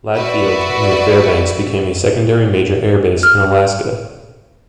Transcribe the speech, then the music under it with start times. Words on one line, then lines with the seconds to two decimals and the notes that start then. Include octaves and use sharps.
Ladd Field near Fairbanks became a secondary major air base in Alaska.
0.14 F#4 B4 D5 E5
3.23 F6